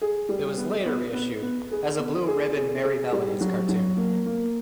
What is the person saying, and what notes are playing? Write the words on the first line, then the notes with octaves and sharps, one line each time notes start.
It was later reissued as a Blue Ribbon Merrie Melodies cartoon.
G#4
G3
B3
B3
B3
B3
G#4
B3
G#4
G#4
G#4
G3
F#3
F#3
A#3
A#3